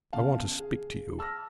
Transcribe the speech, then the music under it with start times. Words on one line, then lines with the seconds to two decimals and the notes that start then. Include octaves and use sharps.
I want to speak to you.
0.13 E2 C#3 F5 A5
0.60 G#4
1.19 A5 E6 F6 A#6